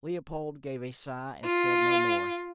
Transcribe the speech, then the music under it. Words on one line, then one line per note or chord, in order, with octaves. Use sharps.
Leopold gave a sigh, and said no more.
F4